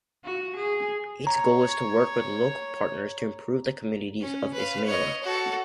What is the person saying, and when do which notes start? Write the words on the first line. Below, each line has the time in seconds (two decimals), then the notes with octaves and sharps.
Its goal is to work with local partners to improve the communities in Ismailia.
0.25 F#4
0.56 G#4
1.27 C#5 A#5
4.21 C#4
4.53 B4 F5
4.87 C#5 D#5
5.23 F#4 A4